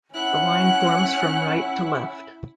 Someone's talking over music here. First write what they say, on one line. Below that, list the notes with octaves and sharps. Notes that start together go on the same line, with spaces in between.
The line forms from right to left.
C#4 E4 F#5 F#6